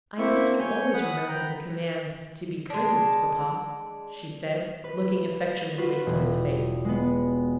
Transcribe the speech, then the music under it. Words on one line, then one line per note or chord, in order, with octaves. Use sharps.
"I think you always remember the command to be courteous, papa," she said, looking affectionately into his face.
A#3 C4 E4 E5 C#6
C#5 G#5 G6
F#5 B5 D#6
G5 A#5 B5
G#3 D4
B4
F4 F#4 B4
E1
G#3 B3